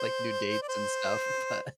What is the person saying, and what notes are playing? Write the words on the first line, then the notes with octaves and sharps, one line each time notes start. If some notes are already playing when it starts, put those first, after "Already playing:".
like, new dates and stuff, but
Already playing: C5
D5
C5